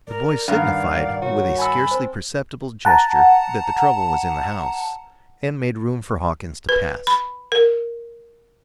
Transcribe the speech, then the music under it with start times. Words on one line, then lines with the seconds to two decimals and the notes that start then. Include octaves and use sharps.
The boy signified with a scarcely perceptible gesture that the trouble was in the house, and made room for Hawkins to pass.
0.07 A#4 D5
0.48 G2 D#3 F5 F#5
1.22 F#4 C#5
1.58 G#5 A5 B5 E6
1.91 C4 C5
2.85 F#5 A5 A#5
6.69 B4
7.07 B5
7.52 A#4